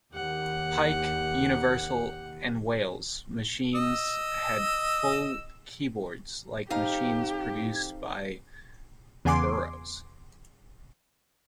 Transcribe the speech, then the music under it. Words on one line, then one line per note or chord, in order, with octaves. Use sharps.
Pike, Universal, and Wales machines had full keyboards like the machines produced by Burroughs.
D#2 G4 F#5
D#5 E6
F2 D#4 G4 F5
E2 C#3 B3 G#5 C6 D6